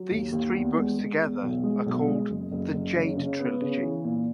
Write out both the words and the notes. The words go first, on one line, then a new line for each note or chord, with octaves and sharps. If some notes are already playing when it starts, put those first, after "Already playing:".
These three books together are called "The Jade Trilogy".
Already playing: F#3
D#2
D#2
E2
G#3
G#3
E2
B1
G#3
B1
G#3
F#1
F#1
F#1
C#3
C#3
B3
C#3
E3
A#2